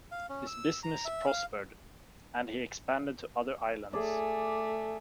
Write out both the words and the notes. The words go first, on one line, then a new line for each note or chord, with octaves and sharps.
His business prospered and he expanded to other islands.
F5
C#4
E6
A#5
E5
F5
A3 G#4 D5